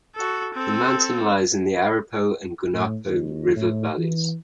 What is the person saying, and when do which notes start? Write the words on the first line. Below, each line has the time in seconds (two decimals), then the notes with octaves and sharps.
The mountain lies in the Aripo and Guanapo river valleys.
0.15 F#4 A4
0.54 C4 A4
2.73 A2
3.07 D#2
3.56 A2
3.98 E3